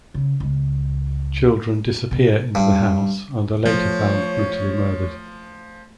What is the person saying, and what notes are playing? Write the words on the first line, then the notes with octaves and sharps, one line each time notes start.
Children disappear into the house and are later found brutally murdered.
C#3
C#2
B2
G2
F3 A3 C#5